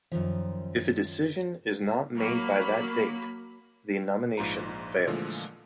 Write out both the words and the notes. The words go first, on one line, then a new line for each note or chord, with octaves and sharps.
If a decision is not made by that date, the nomination fails.
F#2 D#3 F3
F#3 A#3 B5
A#1 G#2 F4 B4 A#5
A#2 D3 E3 F3 G#3 A3